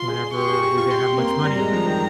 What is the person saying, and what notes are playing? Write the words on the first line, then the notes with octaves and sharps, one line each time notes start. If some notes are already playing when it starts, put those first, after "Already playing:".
whenever we didn't have much money,
Already playing: F4 C6
G#4
G4 C#6
G#4
G4
F4
G4 C6
C4
A#3
G3 A#5
G#3
F3
D#3